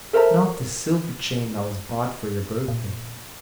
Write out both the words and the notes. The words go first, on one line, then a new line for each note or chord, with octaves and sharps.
Not the silver chain that was bought for your birthday?
A4 A#4 C5 E5 A5 A#5
A#2